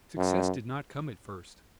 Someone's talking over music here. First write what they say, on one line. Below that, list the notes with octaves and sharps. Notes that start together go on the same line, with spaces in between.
Success did not come at first.
F#2